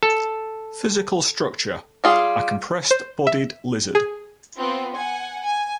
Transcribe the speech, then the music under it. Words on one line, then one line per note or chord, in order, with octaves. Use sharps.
Physical Structure: A compressed bodied lizard.
A4
G3 F4 G#4
C5
E5
G#4
B3 C4 F4
F#5 G#5
G#5